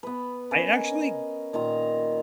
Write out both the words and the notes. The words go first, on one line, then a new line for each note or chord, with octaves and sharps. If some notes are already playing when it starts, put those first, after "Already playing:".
I actually
B3 B4
C#4 A#4 D#5
A#2 D#3 F4 A#5